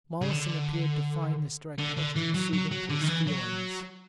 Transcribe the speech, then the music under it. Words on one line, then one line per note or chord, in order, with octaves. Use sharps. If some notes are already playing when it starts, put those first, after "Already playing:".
Mollison appeared to find this direct question soothing to his feelings.
C#3
D3
D3
D3
E3
F#3
F#3
F#3
D3
D#3
E3
F#3